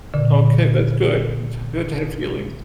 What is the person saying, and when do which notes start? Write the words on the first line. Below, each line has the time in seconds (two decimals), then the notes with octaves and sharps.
Okay, that's good. That's good to have feelings.
0.14 A#2 D3